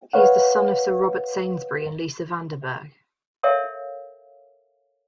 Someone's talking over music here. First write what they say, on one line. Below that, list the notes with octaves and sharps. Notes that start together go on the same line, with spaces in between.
He is the son of Sir Robert Sainsbury and Lisa van den Bergh.
B4 C#5 F5 F#5
A4 A#4 C#5 E5 F5 G5